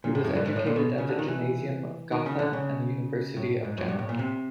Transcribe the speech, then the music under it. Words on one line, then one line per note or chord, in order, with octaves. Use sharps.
He was educated at the "gymnasium" of Gotha and the University of Jena.
A#2
A2
F#2
G2
G#2
A2
A#2
B2
C#3
D3
D#3
E3
D#3
C#3
D3
C#3
A2
G#2
F#2
G2
A2
A#2
C3